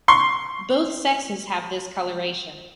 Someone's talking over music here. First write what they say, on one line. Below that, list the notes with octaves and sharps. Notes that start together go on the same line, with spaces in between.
Both sexes have this coloration.
C6 C#6